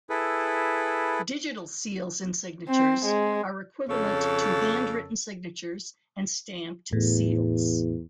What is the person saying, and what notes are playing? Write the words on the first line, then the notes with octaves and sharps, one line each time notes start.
Digital seals and signatures are equivalent to handwritten signatures and stamped seals.
E4 G#4 A4 B4
C4
G#3
F2 C#3 A4 C#5
E2 A2